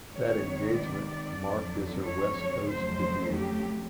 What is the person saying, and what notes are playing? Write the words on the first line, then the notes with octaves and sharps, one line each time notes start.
That engagement marked as her West Coast debut.
C3 D#3 G#3 B3 C#5
D5
F2 D3 F#3
C#5
F2 C#3 F#3 A3 C5
G4